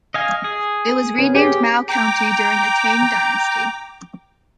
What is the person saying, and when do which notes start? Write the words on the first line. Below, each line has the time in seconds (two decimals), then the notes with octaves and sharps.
It was renamed Mao county during the Tang Dynasty.
0.14 D#5 F5 G#5
0.44 G#4
1.18 B3 C#4
1.35 C#4 G4 G#4
1.89 G5 A#5 D6